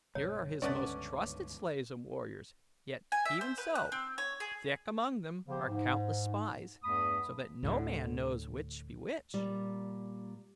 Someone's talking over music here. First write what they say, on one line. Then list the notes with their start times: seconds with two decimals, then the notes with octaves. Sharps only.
Here are his most trusted slaves and warriors, yet even so, thick among them are countless spies, so that no man knows which be which.
0.15 B1 G2 B2 C#5
0.62 C#2 G2 D3 A3 B3 C#4 D5
3.12 G#5
3.25 E5
3.41 C5
3.58 B4
3.75 F#6
3.92 C4
4.18 C#5
4.40 G#4
5.48 C#3 F3 B3 G4 C5
5.67 G#2
6.83 E2 G2 A3 B5 D#6
7.63 D2 A2 D3
9.34 A#2 G3